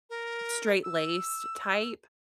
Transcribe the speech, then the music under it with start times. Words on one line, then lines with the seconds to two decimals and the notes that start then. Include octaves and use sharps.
straight-laced type,
0.10 A#4
0.83 E6